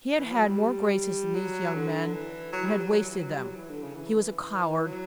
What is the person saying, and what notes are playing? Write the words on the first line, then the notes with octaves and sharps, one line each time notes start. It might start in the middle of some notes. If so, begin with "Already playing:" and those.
He had had more graces than these young men, and had wasted them; he was a coward.
E3
F#3
G3
F#3
D3
E3
F#3
G3
F#3
F#3
E3
F#3
G3
F#3
E3
D3
C#3
E3
F#3